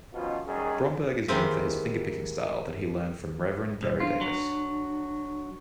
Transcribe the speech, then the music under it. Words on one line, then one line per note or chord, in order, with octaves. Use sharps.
Bromberg is known for his fingerpicking style that he learned from Reverend Gary Davis.
B2 D#3 F3 B3 C#4 F4
F#2 D#3 G3 G#4
D#3 E3 G#3 A#3 C4 G4
B1 G2 C5
D4 F4
F#3